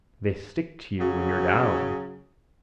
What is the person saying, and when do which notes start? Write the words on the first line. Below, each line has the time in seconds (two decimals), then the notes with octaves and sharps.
They stick to you when you're down.
0.99 C#3 F#3